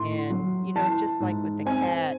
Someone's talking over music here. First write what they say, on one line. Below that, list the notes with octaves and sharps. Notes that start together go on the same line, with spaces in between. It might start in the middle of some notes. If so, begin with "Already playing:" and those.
and, you know, just like with the cat,
Already playing: A2 C6
F#3
E3 A5
G#2
C4 G#5